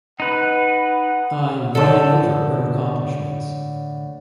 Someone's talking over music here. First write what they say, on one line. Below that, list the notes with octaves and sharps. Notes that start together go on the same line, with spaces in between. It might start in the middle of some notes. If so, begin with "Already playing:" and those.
I ran over her accomplishments.
D#4 B4 F#5
A2 D3 A4 C#5 D5 A5